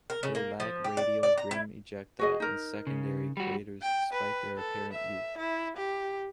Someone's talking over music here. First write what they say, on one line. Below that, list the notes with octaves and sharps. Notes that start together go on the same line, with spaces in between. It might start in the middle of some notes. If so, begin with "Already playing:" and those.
They lack radial rim ejecta and secondary craters despite their apparent youth.
A#4
C#3
A#3
F3
G4
D5
D5
A#5
E4
F#4 G#4 D#5
D#4 A#4
C#3
G3 F#4
G5
B4
A4
E5
E4
G4